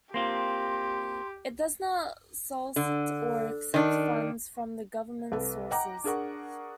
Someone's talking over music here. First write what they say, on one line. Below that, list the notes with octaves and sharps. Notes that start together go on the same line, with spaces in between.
It does not solicit or accept funds from government sources.
A#3 C4 F4 G4 C6
D3
D#3 D4
C2 A4 B4
D#5 F#5 G5 A#5 D6
D4 G#4 A#4 F#5 C#6